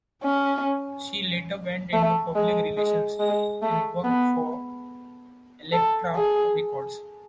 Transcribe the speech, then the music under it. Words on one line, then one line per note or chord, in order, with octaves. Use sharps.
She later went into public relations and worked for Elektra Records.
C#4
A3
G#3
G#3
G#3
A3
B3
A4
G#4